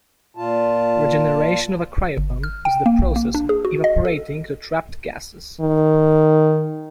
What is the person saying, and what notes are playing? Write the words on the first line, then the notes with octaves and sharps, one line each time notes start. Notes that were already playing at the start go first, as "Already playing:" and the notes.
Regeneration of a cryopump is the process of evaporating the trapped gases.
A#2 F4 A5
G1
F6
G5
A#3
A#1
A#3
D4
G#4
F#4
D#5
A4
D#3